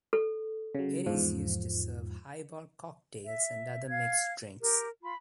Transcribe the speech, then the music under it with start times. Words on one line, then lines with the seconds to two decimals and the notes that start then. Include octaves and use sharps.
It is used to serve highball cocktails and other mixed drinks.
0.13 A4
0.75 C#3 F#3
1.06 E2 G#2 F3
3.23 E5
3.88 F5 G#6
4.59 G4 A#4
5.02 F4 B5